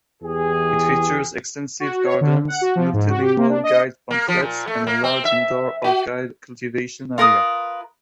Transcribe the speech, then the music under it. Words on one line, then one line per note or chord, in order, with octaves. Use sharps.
It features extensive gardens, multi-lingual guide pamphlets, and a large indoor orchid cultivation area.
E2 E3 G4 G#4
F#4
C#5
D3
F#5
F#4
F3
G#2
F#4
G4
A#3
D4
D#5
A#3
F3
A#2
A3
A#3
C4
E5
F#4
F4 A#4 B4 D#6